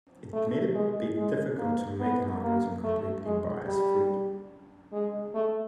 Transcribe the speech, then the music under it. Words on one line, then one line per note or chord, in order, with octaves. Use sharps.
It may be difficult to make an algorithm completely bias-free.
A3
G#3
G#3
A#3
B3
A#3
A3
G#3
G3
G#3
A3